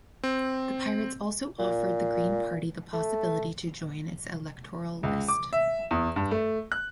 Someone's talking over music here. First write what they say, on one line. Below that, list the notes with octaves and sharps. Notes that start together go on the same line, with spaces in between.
The Pirates also offered the Green Party the possibility to join its electoral list.
C4
A#2
A3
C#2
D6
E5
E2
G2
A3
F#6